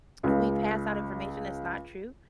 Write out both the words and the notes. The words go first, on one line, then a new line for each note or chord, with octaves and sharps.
We pass out information that's not true,
C#2 C#3